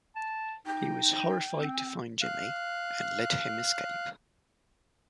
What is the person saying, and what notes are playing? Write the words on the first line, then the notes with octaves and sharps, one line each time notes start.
He was horrified to find Jimmy and let him escape.
A5
D#4 G5
C4
F5 F#6